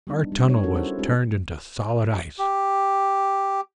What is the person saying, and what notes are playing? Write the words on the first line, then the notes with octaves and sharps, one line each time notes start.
Our tunnel was turned into solid ice.
G3 B3 D4 D#4
G3
G3 D4 C#5
C#4 D#4 F#4 G4 A4 A#4
C#4 E4 C5 C#5
G#3 C4 C#4 D#4 F4 G4
G4